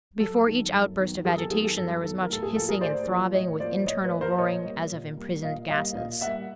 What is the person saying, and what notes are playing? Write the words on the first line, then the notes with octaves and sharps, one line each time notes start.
Before each outburst of agitation there was much hissing and throbbing, with internal roaring as of imprisoned gases.
F#2 A4
D#3 F#3 B3
F#2
D#3 F#3 B3
F#2 G#4 A#4
A4
D#3 F#3 B3 G#4
A4
F#2 A4
D#3 F#3 B3 A4
A#4
A2 A4
G#4
F3 A#3 A4
G#4 A#4
A2 C5 D5
F3 A#3
A2 C#5 D#5
F3 A#3 C5 D5
A2 C#5 D#5
B4 C#5
F3 A#3
A#4 C5
A#2 C#5 D#5
G3 A#3
A#2
G3 A#3
A#2 D#5 F5
G3 A#3 D#5 F5
A#2 D#5 F5
G3 A#3 E5 F#5